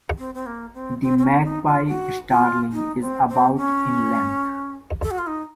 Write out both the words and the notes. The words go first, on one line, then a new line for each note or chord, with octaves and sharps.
The magpie starling is about in length.
C4
C4
A#3
C4
C4
C4
C#4
D#4
F4
F#4
F4
D#4
C4
C4
C#4
A4
F#4
F4
D#4